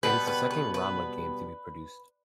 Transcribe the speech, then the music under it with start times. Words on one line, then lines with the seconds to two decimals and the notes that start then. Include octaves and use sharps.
It is the second Rama game to be produced.
0.03 B2 G3 B3 B4
0.27 B4
0.51 B4
0.74 B4